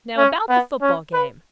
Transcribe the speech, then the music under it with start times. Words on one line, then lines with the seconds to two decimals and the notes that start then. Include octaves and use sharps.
Now about the football game.
0.17 C#4
0.49 B3
0.82 C#4
1.13 B4